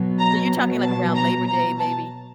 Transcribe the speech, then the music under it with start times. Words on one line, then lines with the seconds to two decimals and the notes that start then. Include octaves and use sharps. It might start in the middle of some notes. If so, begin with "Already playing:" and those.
So you're talking. like, around Labor Day maybe?
Already playing: B2 F#3
0.19 A#5
0.82 A5
1.15 A#5
1.47 A#5
1.78 A5